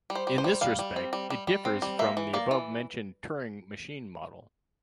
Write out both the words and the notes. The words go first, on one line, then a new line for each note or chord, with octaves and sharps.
In this respect, it differs from the above-mentioned Turing machine model.
G3
C5
G3
C5
G3
G3 F5
G3
C4
G3
G3
G3
C4
G3
A#3 E5
E3
A#3 D5
E3